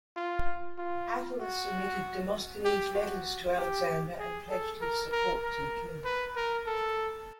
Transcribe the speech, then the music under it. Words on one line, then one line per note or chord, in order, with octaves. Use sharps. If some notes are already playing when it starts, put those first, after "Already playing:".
Attalus submitted Demosthenes' letters to Alexander and pledged his support to the king.
F4
F4
F#4
G4
F#4
G4
G#4
A4
A#4
A#4
A#4
B4
A#4
A4